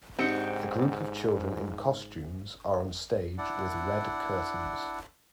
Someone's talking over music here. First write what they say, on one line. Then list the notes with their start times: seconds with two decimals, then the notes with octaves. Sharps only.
A group of children in costumes are on a stage with red curtains.
0.19 G#2 C4 D4 D#4 G4 F#5 G5
3.38 D4 E4 D5 F#5